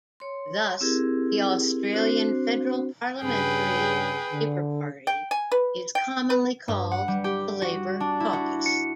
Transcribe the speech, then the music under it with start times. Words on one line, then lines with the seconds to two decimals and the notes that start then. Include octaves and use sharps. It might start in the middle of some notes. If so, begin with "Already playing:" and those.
Thus, the Australian Federal Parliamentary Labor Party is commonly called "the Labor Caucus".
0.20 C#5 C6
0.81 C4 E4 G4 G#4 A#4
1.94 C4 D4 F#4 C5
3.23 G2 C#3 G#4 B4 G5
4.33 D3
5.07 G5
5.31 G#5
5.52 B4
5.95 G5
6.30 B4
6.68 G2
6.91 F#5
7.08 G3
7.24 G4
7.62 F#4
8.00 D4
8.20 E4
8.33 F#4
8.66 C#7